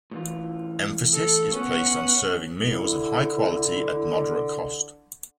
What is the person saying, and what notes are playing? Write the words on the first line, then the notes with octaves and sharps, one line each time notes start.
Emphasis is placed on serving meals of high quality at moderate cost.
A2 E3 F4
A4
B3 C#4 F#5
D3 E4